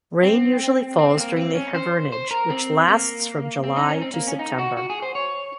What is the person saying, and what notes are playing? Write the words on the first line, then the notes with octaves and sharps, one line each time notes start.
Rain usually falls during the hivernage, which lasts from July to September.
C4
C4
A#3
C4
C#4
C5
C5
A#4
C4
A#3
C4
D#4
C#4
C4
A#3
C#4
D#4
F#4
F#4
G#4
C5
C#5